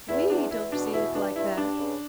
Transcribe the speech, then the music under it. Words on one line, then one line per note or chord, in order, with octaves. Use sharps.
We don't see it like that.
E2 E4
E2 D4
E2 E4
B2 D4
E3 E4
G2 D4
G2 E4
G2 D4
C#3